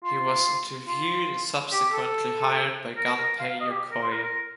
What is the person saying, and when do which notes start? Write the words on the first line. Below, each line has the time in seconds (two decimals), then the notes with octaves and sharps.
He was interviewed and subsequently hired by Gunpei Yokoi.
0.04 F4
0.87 F4
1.72 G4
1.92 A4
2.97 A#4
3.18 A#4
3.39 F5
3.49 F5
3.60 D#5
3.70 G4
3.92 A#4
4.02 C5
4.12 A#4
4.23 A#4